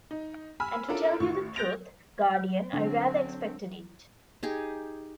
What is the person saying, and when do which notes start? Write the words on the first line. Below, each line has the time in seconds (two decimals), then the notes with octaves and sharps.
And to tell you the truth, guardian, I rather expected it.
0.11 D#4
0.60 G#5 B5 E6 F6
0.88 C#4 D4 E4 F4 A4 A#4
1.20 A1 D#3 C#6
1.56 F#6 G6 A6 A#6 D7 F7
2.73 D3 F#3 C4
4.43 D#4 G4 G#4